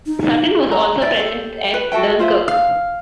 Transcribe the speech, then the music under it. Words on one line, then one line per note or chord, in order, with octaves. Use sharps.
"Sutton" was also present at Dunkirk.
D#4
A#5
D5 E5
G4 A4
B4
F#4 A4 E5 G5
F4 C5 E5
F5